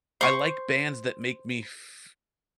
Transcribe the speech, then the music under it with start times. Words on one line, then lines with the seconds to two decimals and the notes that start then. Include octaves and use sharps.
I like bands that make me f
0.21 C5 C#6